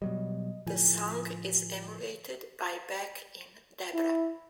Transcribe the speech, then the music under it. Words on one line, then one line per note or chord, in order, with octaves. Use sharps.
The song is emulated by Beck in "Debra".
B2 F#3 G3 D#5
A2 D3 F3 G#5
E4